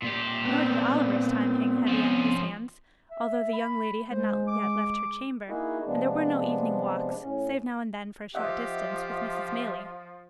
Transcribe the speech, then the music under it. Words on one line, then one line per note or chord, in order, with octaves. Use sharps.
Nor did Oliver's time hang heavy on his hands, although the young lady had not yet left her chamber, and there were no evening walks, save now and then, for a short distance, with Mrs. Maylie.
A#2 G4
B3 C4
F3 C#4
E5
B5
G#3 C5
D6
A#3 D#4 E4 F#4 G#4
C3 F3 G#3 B3 D4
A2 C#4
F3 G4 D#5 E5 F#5